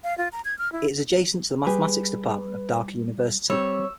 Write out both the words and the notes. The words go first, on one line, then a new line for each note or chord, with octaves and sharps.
It is adjacent to the Mathematics Department of Dhaka University.
F5
F4
A#5
G#6
F6
E4
G3 G4 G#4 B4
G3 C4 C#5 E6